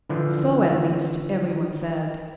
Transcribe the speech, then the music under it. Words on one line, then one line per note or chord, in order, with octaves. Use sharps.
So, at least, every one said.
D3 E3 F3